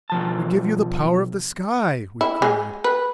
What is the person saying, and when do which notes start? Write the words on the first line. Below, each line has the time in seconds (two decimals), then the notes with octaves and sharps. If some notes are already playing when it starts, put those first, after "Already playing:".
"We give you the power of the sky!" we cried.
0.10 B2 F3 A5
2.21 E4
2.42 G#3
2.84 B4